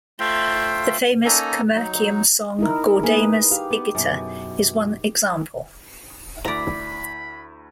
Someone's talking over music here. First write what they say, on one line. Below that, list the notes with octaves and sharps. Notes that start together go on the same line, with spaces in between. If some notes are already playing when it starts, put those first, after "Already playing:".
The famous commercium song "Gaudeamus igitur" is one example.
A3 F4 C5 E5 F5 G5
A#3 C#4 D#4 A4 G#5 A#5
F#3 D#4
D#4 E4 A#4
A#3 C#4 G#4 B4
G4 F5
B3
F#2 B2
D2 E4 D5 A#5 B5